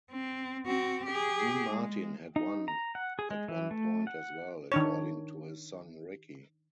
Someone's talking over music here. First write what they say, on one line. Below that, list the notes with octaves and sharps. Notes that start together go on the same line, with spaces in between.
Dean Martin had one at one point as well, according to his son Ricci.
C4
C4 F#4
G4 G#4
G#3
D#4
A#5
F#5
G#4
G#3
E3
A3
F#5
D#3 D4 C#5